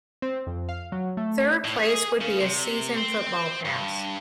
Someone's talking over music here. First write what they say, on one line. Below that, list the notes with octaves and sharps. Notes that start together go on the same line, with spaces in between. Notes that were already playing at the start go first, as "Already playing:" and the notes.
Third place would be a season football pass.
C4
F2
F5
F#3
A3
A2
G#4
C#3
C3
C4
C4
G2